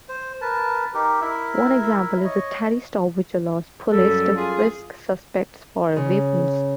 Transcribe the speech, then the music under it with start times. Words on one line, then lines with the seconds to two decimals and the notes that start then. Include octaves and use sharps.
One example is the Terry stop, which allows police to frisk suspects for weapons.
0.09 C5
0.41 A#4 B4 A5
0.94 D#4 G4 A#4
1.21 E4 A#4 E5
2.25 C#5 D#5
3.92 F#2 G3 A4
4.36 F4 G#4
5.96 C#3